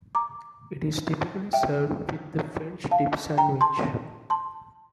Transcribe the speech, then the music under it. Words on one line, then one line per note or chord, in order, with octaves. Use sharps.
It is typically served with the French dip sandwich.
A#5 D6
E5 G5
F5 A5
G5 A#5
A5 C6
A5 C6